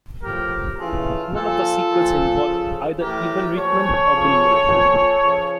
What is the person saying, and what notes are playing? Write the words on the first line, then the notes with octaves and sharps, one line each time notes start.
None of the sequels involved either Ivan Reitman or Bill Murray.
A2 F3 G4 A#4
C#3 E3 F4 A4
A#2 F3 F4 A4
A#2 F3
C#3 F3
A2 E3 G4 A#4
A#2 F3 A4 C#5
C#3 F3
A#2 F3
C#3 F3